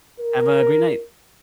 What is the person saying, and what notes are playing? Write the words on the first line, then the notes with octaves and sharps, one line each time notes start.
Have a great night.
A#4